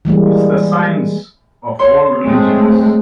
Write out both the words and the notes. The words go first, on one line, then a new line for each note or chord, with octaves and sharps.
It's the science of all religions.
E3 G3 G#3 A#3
C#5 C6
G#3 A3 C4